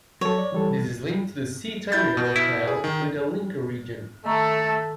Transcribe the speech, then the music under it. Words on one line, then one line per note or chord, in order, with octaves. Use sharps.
This is linked to the C-terminal tail with a linker region.
F#3 A4 C#5
D5
E3 G3 A4
E4 G6 A6
B2
E4
G#4
D#3
D#3 A3 A4 A#5 C#6